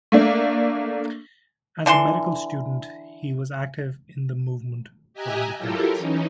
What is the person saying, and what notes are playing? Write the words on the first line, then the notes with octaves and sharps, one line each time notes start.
As a medical student he was active in the movement for independence.
A3 A#3 D4
D3 E3 F#5 C6
G4 D#5 E5 G#5 A#5 F#6
F#3 E4 F4 G4 A4 A#4
E3 C#4 D#4